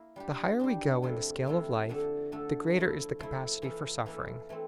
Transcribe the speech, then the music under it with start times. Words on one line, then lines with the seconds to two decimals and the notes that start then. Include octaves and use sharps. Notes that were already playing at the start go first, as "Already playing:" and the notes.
The higher we go in the scale of life, the greater is the capacity for suffering.
Already playing: A#3 E4
0.16 G3 D4 G4
0.59 G3 D4 G4
1.02 C3 F3 A3 E4
1.46 C3 F3 A3 E4
1.89 D3 A3 D4 A4
2.32 D3 A3 D4 A4
2.76 F3 A3 E4
3.19 F3 A3 E4
3.62 E3 A#3 E4 A4
4.06 E3 A#3 E4 A4
4.49 E3 A3 C4